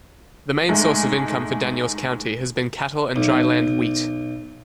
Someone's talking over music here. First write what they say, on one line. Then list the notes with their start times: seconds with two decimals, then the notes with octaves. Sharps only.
The main source of income for Daniels County has been cattle and dryland wheat.
0.69 G#2 G#3 A3
3.16 B1